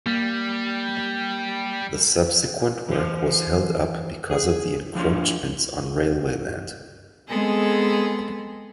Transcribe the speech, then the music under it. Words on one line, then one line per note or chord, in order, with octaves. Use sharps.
The subsequent work was held up because of the encroachments on railway land.
G3 A#3
E3 C5
G#4
F3 D4 F4 C#5
G#3 B3 C4 G#4 A4